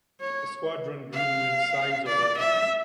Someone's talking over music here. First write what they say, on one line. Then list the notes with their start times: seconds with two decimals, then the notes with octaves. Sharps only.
The squadron grew in size over time.
0.20 C#5
1.13 F5
2.07 D5
2.38 E5